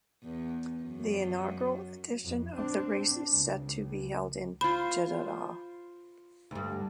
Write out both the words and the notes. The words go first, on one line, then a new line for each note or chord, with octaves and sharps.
The inaugural edition of the race is set to be held in Jeddah.
E2
F#2
F2
C4 D4
C#2
F4 C5 B5
D2 G2